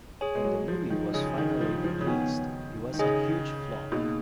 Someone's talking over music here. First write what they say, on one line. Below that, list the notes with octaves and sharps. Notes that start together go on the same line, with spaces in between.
When the movie was finally released, it was a huge flop.
G#4 C#5 G#5
G#3
F#3
F3
D#3
C#3 G#4 D#5 G#5
D#3
F3
F3
C#3
D#3 B3 F#4 C#5 G#5
D#3
C#3 G#4 D#5 G#5
B2 A#3 D#4 G#4 D#5